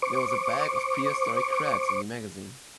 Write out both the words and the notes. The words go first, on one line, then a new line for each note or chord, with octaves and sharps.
There was a bag of prehistoric crabs in the magazine.
C5 C#6 D6